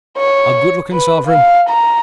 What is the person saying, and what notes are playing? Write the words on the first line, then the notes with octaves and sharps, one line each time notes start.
A goodlooking sovereign.
C#5
B4
F5
A#5